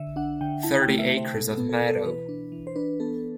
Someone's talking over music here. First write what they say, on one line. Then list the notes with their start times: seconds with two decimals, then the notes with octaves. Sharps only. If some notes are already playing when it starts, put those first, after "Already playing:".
Thirty acres of meadow.
Already playing: D3 E5
0.16 D4 F#5
0.41 D3 G5
0.63 E4 A5
0.82 G5
0.88 A3
0.99 E5
1.11 C3
1.17 C5
1.34 B2 A4
1.53 B3 A4
1.69 A4
1.81 B2
1.88 A4
2.05 E3 B4
2.29 D4
2.52 E3
2.67 C5
2.76 D4 B4
3.00 B3 A4